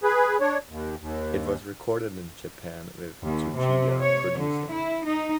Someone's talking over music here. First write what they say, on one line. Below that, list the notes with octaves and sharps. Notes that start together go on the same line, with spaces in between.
It was recorded in Japan with Tsuchiya producing.
G#4 B4
D4 C#5
D#2
D#2
D#2
C3
C#5
D3
E4
D#4